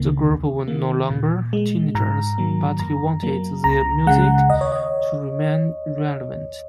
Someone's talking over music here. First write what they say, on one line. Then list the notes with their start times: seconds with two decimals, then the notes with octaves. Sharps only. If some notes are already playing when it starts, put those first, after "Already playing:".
The group were no longer teenagers, but he wanted their music to remain relevant.
Already playing: C#2 C#3 A#3
0.26 D#2
0.68 D#3 A#3
1.10 A#2
1.53 G#3
1.95 G#2 A#5
2.38 D#3 F#3 A#3
2.79 F#2 A#5
3.23 F#3 A#3
3.64 C#2 A#5
4.07 C#3 G#3 F#5
4.50 D#2 D#5
4.61 C#5
4.72 D#5